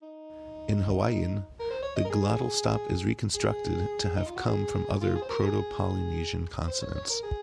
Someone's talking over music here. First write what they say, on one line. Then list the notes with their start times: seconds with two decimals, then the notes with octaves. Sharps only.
In Hawaiian, the glottal stop is reconstructed to have come from other Proto-Polynesian consonants.
0.02 D#4
1.59 A#4
1.70 C5
1.82 C#5
1.96 D#5
2.05 A#4
2.10 G#4
3.35 G#4
4.16 D#4
4.26 F4
4.36 F#4
4.46 G#4
5.01 F4
5.15 G#4
5.22 C5
5.29 A#4
5.43 G#4
6.67 C5
6.82 C#5
6.95 C#5
7.10 A#4
7.23 G#4